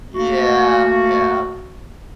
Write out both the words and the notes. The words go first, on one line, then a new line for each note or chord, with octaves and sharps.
Yeah. Yeah.
A3 A#3 F#4